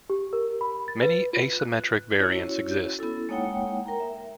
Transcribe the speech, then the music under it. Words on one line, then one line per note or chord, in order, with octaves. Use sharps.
Many asymmetric variants exist.
G4
A#4
B5
A6
B4
F4
F#6
C#4 E4 F#4 C#5
B3 C#4 E4 A4
G#3 A#3 D#4 C#5 F#5 G5
A#4 G5 A#5
E5